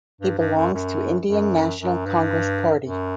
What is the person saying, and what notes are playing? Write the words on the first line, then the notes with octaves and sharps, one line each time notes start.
He belongs to Indian National Congress Party.
G2
G2
F#2
F#2
F#2
F#2
G2
F#2